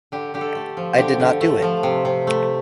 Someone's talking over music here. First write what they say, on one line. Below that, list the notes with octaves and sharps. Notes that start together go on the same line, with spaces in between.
I did not do it.
D3 G4
D3 G4
A4
A3
F3
D3 G4
D3
A3
F3
C3
C3
A3